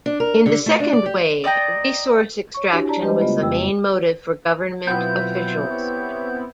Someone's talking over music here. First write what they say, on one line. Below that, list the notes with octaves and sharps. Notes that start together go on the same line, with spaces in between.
In the second wave, resource extraction was the main motive for government officials.
D4
A#4
D3
A3
D4
D5
G4
D5 D#5 G5 A#5
C#5 C#6
D4 E4 F#4 G4
D5 A5 A#5
G3 G#3 G4 B4 C5 D#5
C#3 A3 B3 F4 D#5
F2 G5 E6
B2 F#3 B3 C4 E4 F4 G6
G4 C#5